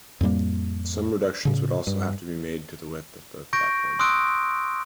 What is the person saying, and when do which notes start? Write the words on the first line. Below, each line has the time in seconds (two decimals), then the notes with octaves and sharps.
Some reductions would also have to be made to the width of the platforms.
0.21 F2 A2 G3 A#3
1.45 A2 C#3
1.87 G2
3.53 C#6 G6 A#6 D7
3.99 C6 D#6 E6 F#6 D7